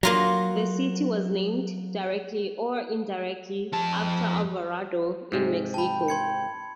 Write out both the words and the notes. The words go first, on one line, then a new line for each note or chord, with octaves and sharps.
The city was named, directly or indirectly, after Alvarado, in Mexico.
F#3 A#3 F4 A#5
F2 A5
G#2 C3 G#3
G5 A5 B5
C6 G#6 C#7